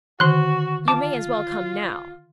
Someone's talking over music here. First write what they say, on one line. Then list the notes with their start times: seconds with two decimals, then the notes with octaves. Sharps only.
You may as well come now.
0.20 D3 D#3 F#4 C6 F#6
0.88 F4 A5 D6